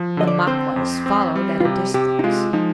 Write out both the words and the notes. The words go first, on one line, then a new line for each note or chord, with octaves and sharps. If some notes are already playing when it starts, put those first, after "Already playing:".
The Maquas followed at a distance.
Already playing: F3
D3 D#5
D5
C4 C5
F2
C4
G3
F4
C3 G4
C3 G4
D#4
G#3 F4
F3 D#4